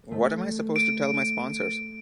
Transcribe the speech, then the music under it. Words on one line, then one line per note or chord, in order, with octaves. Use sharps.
What am I supposed to tell my sponsors?
A3
D7